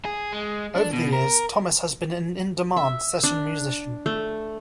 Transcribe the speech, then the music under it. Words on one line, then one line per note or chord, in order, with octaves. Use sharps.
Over the years Thomas has been an in-demand session musician.
G#4
G#3
D4
B2
A#4
E5
D4
A3